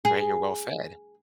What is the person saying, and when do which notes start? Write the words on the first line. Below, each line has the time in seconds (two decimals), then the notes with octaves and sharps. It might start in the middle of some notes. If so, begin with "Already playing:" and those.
right? You're well fed.
0.05 G#4